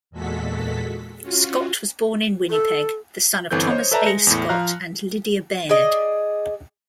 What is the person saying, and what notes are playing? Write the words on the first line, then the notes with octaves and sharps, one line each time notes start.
Scott was born in Winnipeg, the son of Thomas A. Scott and Lydia Baird.
E2 A#2 G#3 F#4 A4 B6
C#4 F4 F#4
A4
G1 E3 C4 A4 G6
C5 C#5 D#5
A4 B4 D5 E5 A5 A#5
G#3 A#6 C#7
E2 A2
F3 F5 A#5 F6 F#6
G#4 D5 D#5